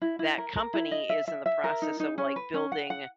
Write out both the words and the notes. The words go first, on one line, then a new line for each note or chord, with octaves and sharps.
That company is in the process of, like, building
E4
E4
A#4
A#4
E4
D#5
E5
E5
E5
A#4
D#4
D#4
C#4
B4
C#4
F#5
F#5